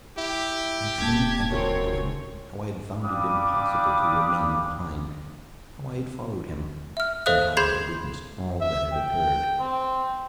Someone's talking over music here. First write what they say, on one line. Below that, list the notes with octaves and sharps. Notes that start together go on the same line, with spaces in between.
I explained everything to him: how I had found it impossible to remain behind, how I had followed him, and how I had witnessed all that had occurred.
E4 G4
D#1 A#3 A5 G#6
F#2 C4 C#5
G3 D4 F5 B5 D6 D#6
E5 F6
A4 C5 D#5 F5 D#6 F#6
G#4 B5 C6 G6 G#6 C7
E5
G5
C4